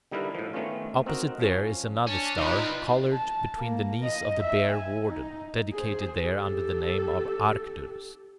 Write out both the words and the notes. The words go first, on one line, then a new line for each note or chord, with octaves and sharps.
Opposite there is another star, coloured, between the knees of the Bear Warden, dedicated there under the name of Arcturus.
D3 G3 D#4 E4 A#4 B4
A2 F3
D#3 A3 B3 C#4 F4
C4 D#4 F#4 A#4
F3 C#4
C#4 D4 A5
C3 G3 D#4 F4 B4
A5
A#3
D#5
E5
G#5
D#4
G#4 C5
G4 A4